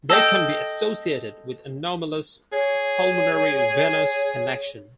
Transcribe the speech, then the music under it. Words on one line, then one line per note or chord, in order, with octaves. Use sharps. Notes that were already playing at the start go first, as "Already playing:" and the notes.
They can be associated with anomalous pulmonary venous connection.
A4 D#5 G5
G#4 C#5